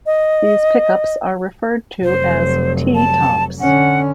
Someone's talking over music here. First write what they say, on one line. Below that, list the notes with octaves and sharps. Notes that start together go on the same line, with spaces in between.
These pickups are referred to as "T-tops".
D#5
F1 F#3 C5
A5
D3 C#4 F#5